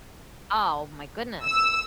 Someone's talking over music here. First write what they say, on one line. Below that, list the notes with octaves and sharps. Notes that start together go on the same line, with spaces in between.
Oh my goodness.
E6